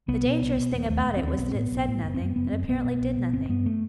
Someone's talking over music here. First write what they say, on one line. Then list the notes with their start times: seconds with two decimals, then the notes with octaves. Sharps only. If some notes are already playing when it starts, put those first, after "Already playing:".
The dangerous thing about it was that it said nothing and apparently did nothing.
0.08 C2 B3
0.24 B2
0.41 C2
0.57 B2
0.73 E1 B3
0.89 D#2 A3
1.06 E1
1.17 C4
1.22 D#2
1.28 C4
1.38 B1 B3
1.49 C4
1.55 A2
1.60 B3
1.71 B1
1.88 A2
2.03 F#1 B3
2.14 C4
2.20 F#2
2.25 B3
2.36 F#1 B3
2.47 C4
2.52 F#2
2.68 B1 B3
2.85 B2
3.01 B1
3.17 B2
3.33 G1 C4
3.49 G2 B3
3.66 A3